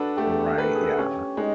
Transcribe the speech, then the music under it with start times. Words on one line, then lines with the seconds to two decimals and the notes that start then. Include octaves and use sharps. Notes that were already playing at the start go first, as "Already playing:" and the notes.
Right. Yeah.
Already playing: D4 F#4 A4 B4
0.17 A3 G4
0.58 A#4 B4
0.66 A4
0.75 G#4
0.83 A4
0.98 C#4 G4
1.37 G#3 D#4